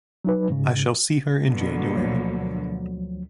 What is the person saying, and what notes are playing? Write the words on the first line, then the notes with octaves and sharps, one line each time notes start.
I shall see her in January.
F#3 D#4 B4
G#2 C#3
B2 D3 A#3
D2 F3 F#3